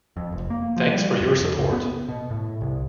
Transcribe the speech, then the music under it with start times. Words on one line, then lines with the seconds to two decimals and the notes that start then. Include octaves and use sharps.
Thanks for your support!
0.17 F2
0.32 F1
0.50 A#3
0.76 F3
0.92 G3
1.20 F2
1.38 F2
1.54 C#2
1.72 B3
2.09 B2
2.31 A2
2.61 C2